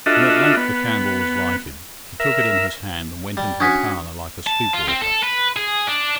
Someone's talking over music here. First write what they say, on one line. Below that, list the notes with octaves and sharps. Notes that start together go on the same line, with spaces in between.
When at length the candle was lighted, he took it in his hand and went into the parlour like a sleepwalker.
D4 F4 F#4 A4 D#5 E5
B3
A#4 E5
G3
C#4 D4 F#4 G#5 D#6 B6
A5
F4
C4
A4
B4
G#4
D4